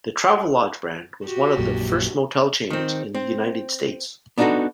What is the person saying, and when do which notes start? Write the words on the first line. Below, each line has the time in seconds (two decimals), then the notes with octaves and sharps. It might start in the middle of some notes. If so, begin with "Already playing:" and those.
The Travelodge brand was one of the first motel chains in the United States.
1.24 F#4 G4
1.58 A#1 F#2 A#2
2.70 D#3 C4
3.15 C4
4.38 B3 D4 D#4 F4 F#4 A4